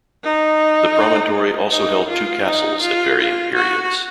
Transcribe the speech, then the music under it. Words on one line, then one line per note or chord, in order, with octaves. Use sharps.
The promontory also held two castles, at varying periods.
D#4
D#4
F4
D#4
F4
F4
F#4